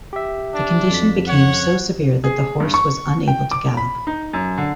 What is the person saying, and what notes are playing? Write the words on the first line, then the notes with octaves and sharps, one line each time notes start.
The condition became so severe that the horse was unable to gallop.
G4 E5
D4
F2 B6
C#5 F#5
G#4
G2
C#6
G5
D6
B5
D#4
F#2
D3